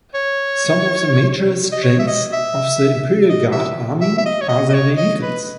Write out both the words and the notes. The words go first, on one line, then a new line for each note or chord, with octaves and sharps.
Some of the major strengths of the Imperial Guard army are their vehicles.
C#5
D#5
C#5
E5
D#5
E5
D#5
E5
E5
E5
D#5
C#5
D#5
D#5
C#5
D#5
B4